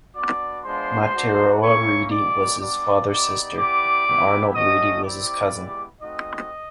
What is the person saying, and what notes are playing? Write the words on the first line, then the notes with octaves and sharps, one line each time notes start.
Materoa Reedy was his father's sister, and Arnold Reedy was his cousin.
B3 D4 F#4 D5 D6
G#3 B3 D4 F4 C5 C6
A3 D4 F#4
A#3 C#4 E4 C#5 C#6
G#3 B3 E4 D5 D6
G3 B3 D4 D5 D6
B3 D#4 G4 D5 D6
B3 E4 G4 D5 D6
B3 E4 G4
A3 C#4 F#4 D#5 D#6
C4 E4 G4 D5 D6
G#3 B3 E4 G4
A3 C4 D#4 F#4 D#5 D#6